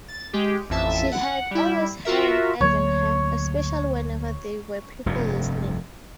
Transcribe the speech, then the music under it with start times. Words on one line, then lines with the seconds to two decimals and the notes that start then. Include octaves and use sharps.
She had always had an edge on her, especially whenever there were people listening.
0.08 A6
0.33 G#3 G4
0.70 A1 F2 E5 A5
1.12 F#5
1.51 G3 E4
2.05 F4 F#4 A#4 E5
2.61 D2 F#3 A#3 C#5
5.06 F1 G2 C3